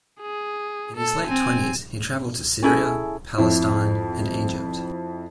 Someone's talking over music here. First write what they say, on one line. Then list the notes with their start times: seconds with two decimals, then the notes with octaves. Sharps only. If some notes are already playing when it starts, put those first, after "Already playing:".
In his late twenties, he travelled to Syria, Palestine and Egypt.
0.22 G#4
0.97 A4
1.27 C4 G#5
2.63 C#4 E4 G#4 A4
3.38 F2 E4